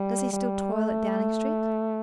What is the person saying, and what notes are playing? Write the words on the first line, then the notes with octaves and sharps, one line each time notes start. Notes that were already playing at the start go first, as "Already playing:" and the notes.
Does he still toil at Downing Street?
Already playing: G3
G3
A3